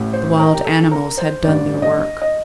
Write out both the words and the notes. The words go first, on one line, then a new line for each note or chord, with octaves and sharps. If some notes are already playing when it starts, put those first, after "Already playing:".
The wild animals had done their work.
Already playing: A1 A2
C5
A#4
G4
A4
A#4
C5
A1 G2 D3 D5
D#5
D#5